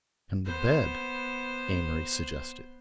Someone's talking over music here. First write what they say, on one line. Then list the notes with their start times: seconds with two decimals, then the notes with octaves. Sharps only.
"And the bed," Amory suggested.
0.45 B3 C5